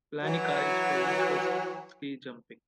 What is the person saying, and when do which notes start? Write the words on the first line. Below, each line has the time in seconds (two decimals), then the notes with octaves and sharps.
Planica is famous for ski jumping.
0.23 E3 F#3